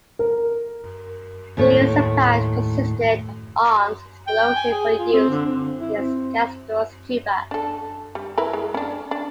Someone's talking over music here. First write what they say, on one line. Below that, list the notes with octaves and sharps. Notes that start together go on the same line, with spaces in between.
These supplies consisted of arms and explosives for use against Castro's Cuba.
A#4
D#2 A2 A3 C#5
G5
G#5
G#4
F4
C4
D3
C4
E4
C4
D4 A4
G3
E4 A#4 B4
G#3
C#4 D4
D4